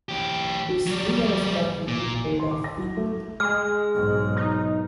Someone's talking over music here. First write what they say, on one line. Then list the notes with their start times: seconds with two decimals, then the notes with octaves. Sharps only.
This legal strategy paid off.
0.09 E3 G4
0.87 F#3 G3
1.88 A#2
2.40 C6
2.51 D6
2.64 A#6
2.78 F#3
2.97 A3
3.40 G#3 F6
3.95 B1 G#2
4.36 D#4